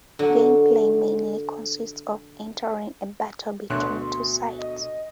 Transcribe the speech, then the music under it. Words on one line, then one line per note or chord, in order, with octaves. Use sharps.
Gameplay mainly consists of entering a battle between two sides.
D3 F#3
D2 B2 C#5 C6 F#6
D#5